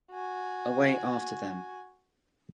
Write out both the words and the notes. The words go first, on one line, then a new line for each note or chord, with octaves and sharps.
Away after them!
F#4 G#5